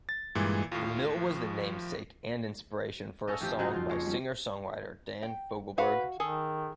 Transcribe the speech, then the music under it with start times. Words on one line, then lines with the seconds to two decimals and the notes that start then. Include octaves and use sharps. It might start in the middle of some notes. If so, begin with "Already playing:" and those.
The mill was the namesake and inspiration for a song by singer-songwriter Dan Fogelberg.
0.09 A6
0.35 G2 A#2 E3 G#3
0.72 D#2 A2 F4
1.17 F3
3.27 C#4 A4 D#5 F5 G#5 E6
3.41 F1 F2 D#3 F3 G4
3.59 C#3 F#3 D#4 F#4 D#5
3.74 F2 F3 F4
3.89 G#3 A#3 C#5
4.05 G3 C#4
5.23 G5
5.78 F#4 B4 F5 F#5
6.20 D#3 G#4 A4